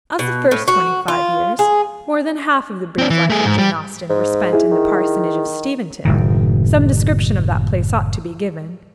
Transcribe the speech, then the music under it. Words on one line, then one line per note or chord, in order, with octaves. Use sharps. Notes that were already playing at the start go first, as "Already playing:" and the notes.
As the first twenty-five years, more than half of the brief life of Jane Austen, were spent in the parsonage of Steventon, some description of that place ought to be given.
B2
A2
F#4
F4
G#4
C4 D4
E3
A3 G#4
G#2
G3
G#2
E4 G#4
D#3
F#1 A2 D#3